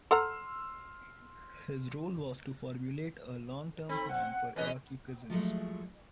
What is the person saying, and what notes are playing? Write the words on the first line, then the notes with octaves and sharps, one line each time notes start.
His role was to formulate a long term plan for Iraqi prisons.
A4 F#5 A#5 C6 E6 F6
C4 D#4 A4 B5
F#5
E2 C#4 B4 D#5
F3 F#3 G#3 A3